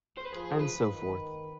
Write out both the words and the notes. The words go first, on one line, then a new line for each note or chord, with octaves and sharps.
And so forth.
C5
B4
F3 G#4
B4
D#3